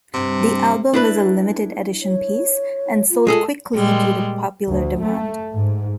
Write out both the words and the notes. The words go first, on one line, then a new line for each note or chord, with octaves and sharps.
The album was a limited-edition piece and sold quickly due to popular demand.
G2 C3 C4
D4 E4 B4
C#5
F4
G#3 G#4 A4
A#2 G3 G#3
D2
A3
G#2